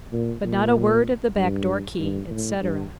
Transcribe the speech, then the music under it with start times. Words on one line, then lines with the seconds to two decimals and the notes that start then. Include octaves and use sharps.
But not a word of the back-door key, etc.'
0.13 A#2
0.44 A#2
1.38 G2
1.99 G2
2.30 A2
2.62 G2